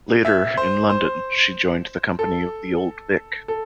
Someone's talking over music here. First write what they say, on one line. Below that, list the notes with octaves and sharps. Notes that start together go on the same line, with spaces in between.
Later, in London, she joined the company of The Old Vic.
E5
C5
C5
A4
A4